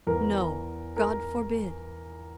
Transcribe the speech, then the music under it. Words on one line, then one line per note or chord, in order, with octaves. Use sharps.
No, God forbid!
E2 E3 A#4
A#4